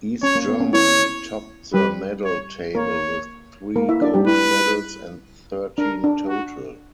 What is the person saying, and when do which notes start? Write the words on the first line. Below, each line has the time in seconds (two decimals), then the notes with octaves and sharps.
East Germany topped the medal table with three gold medals, and thirteen total.
0.23 C#4 C#5
0.36 A#3
0.48 B3
0.60 C#4
0.73 E4 C#5
1.74 G3 G4 B4
2.25 C#5
2.75 A#3 A#4 C#5
3.76 A#3 A#4
3.89 E4 E5
4.01 D4 D5
4.14 G3 G4
4.27 E4 B4
5.78 D4 A#4
6.04 D4
6.28 F#4